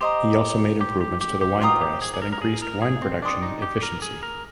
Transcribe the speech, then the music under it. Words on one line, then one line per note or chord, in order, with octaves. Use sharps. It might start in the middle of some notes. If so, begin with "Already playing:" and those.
He also made improvements to the wine press that increased wine production efficiency.
G4 C5 D#5 A#5
G4
G4
G4
G4
F4 C5 G5 A#5 D#6
G4
G#4
G#4
A#4
A#4
G#4
A#4
G#4
C4
D4 D5 G5 C6 D#6
D#4
G4
A#4
G#4
A#4